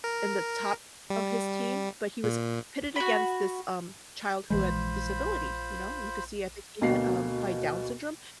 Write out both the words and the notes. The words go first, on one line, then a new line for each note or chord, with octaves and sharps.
in the top of his team, but he was pitted against this, um, child who had disability, you know? You could see, I think, he had, um, probably Down syndrome,
A#4
G3
A#2
F#4 B5
A#1 E3 G#3 F4 C5 B5
D2 B2 A#3 F#4 C7